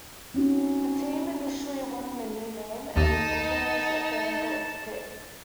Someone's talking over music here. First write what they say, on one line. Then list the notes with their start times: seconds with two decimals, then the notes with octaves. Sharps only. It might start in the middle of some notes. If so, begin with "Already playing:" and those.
The team initially wanted a new name, and organized a fan vote to pick.
0.34 C4 C#4 D#4 F#4
2.97 D#2 D#4 A5